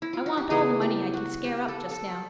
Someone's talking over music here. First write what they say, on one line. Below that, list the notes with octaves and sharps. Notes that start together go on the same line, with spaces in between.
I want all the money I can scare up just now.
E4
F4
F#4
G4
C#3 E3 G#3 B3 G#4
G4
F#4
G4
A4
A4